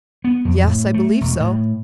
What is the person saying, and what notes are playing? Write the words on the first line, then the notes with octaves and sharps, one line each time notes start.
"Yes; I believe so."
B3
F2
A2
A3
E1
A2